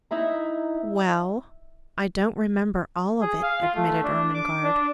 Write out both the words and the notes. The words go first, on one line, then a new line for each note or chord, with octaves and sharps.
"Well, I don't remember all of it," admitted Ermengarde.
D#4 E4 E5 A#5
G#4
F5
F4
A3
D4
D6
D4